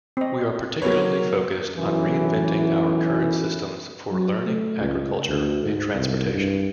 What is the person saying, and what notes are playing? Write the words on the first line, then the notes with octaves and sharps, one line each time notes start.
We are particularly focused on reinventing our current systems for learning, agriculture, and transportation.
C4 D#5
F#3 A#3 B3 B4 C#5
B1 F#2 A2 E3
F#3
A3
C#2
D2
G#2
C2
G2